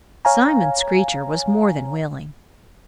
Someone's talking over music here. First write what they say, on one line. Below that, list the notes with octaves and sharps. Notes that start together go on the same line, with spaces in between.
Simon Screecher was more than willing.
C#5 F5 G#5 A#5